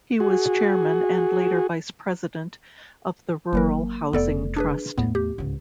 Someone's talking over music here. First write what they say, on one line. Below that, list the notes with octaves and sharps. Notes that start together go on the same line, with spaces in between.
He was chairman and later vice-president of the Rural Housing Trust.
F#4 G#4
G1 F#3 A#3 A#4
F1 B3 A4 D5
D4 G#4 B4
E2 A2 A3 B3
G4
C#2 G#2